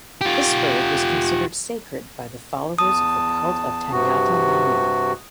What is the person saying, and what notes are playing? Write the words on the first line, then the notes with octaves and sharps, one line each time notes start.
This bird was considered sacred by the followers of the cult of Tangata manu.
F4 G4
E2 A5 D#6
G2 C3 F#4